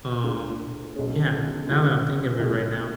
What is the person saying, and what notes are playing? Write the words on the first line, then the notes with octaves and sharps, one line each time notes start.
um, yeah, n now that I'm thinking of it right now,
D2 D3 G#3 D4
B1 B2 A3 C#4 G#4
F#2 E3 G#3
B1 A2 G#3